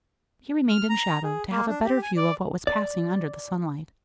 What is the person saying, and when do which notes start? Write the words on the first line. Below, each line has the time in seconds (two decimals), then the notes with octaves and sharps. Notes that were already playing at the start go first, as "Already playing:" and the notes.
He remained in shadow, to have a better view of what was passing under the sunlight.
0.69 F6
0.89 A#5
1.23 G#4
1.51 A#3
1.68 D4
1.84 G4
2.02 G#5
2.17 D5
2.67 D5